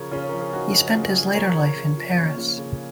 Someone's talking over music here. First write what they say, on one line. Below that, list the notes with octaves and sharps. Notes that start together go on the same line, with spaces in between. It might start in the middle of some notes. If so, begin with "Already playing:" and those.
He spent his later life in Paris.
Already playing: C#3 F3 A#4 C#5
C#3 C#4 F4
F3 A#4
G#4
F3 D#4 F#4
C#3
C#3 F4 G#4
F3
F3 A#4 C#5
C#3
C#3
F3
F3 A#3 C#4
C#3 C#4 F4
C#3